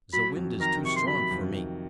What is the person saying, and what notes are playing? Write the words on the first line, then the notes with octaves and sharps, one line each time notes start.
"Ze wind is too strong for me!"
F#3 B5
F2
D#3 A#5
C3 C#6
C6
F#3 B5
F2
D#3